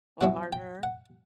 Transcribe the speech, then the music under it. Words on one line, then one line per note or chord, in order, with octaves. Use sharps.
Or harder?
B2 F#3 C#4 E4 F#5
G5
F#5